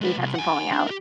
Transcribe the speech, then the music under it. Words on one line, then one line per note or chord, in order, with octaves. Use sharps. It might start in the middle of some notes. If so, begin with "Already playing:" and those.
You've had some falling out.
G#3 B4
C2
F#5 G#5
D4
G4 A#4